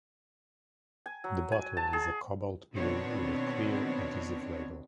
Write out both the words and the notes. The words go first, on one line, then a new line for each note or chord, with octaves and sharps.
The bottle is a cobalt blue with a clear, adhesive label.
G#5
F#3
G#5
A5
G#4
B2 D#3 B3 C4 D4 C#5